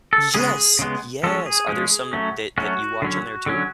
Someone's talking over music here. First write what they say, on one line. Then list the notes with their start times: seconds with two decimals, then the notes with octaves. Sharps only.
Yes! Yes. Are there some that that you watch on there too?
0.13 A4
0.34 C#3 G#3 B3 G#4
0.79 C#3 G#3 B3
1.23 F3 G#3 C#4 A4
1.46 G#4
1.68 F3 G#3 C#4
2.13 F#3 A3 C#4
2.58 F#3 A3 C#4 F#4
3.02 D3 F#3 C#4
3.46 D3 F#3 C#4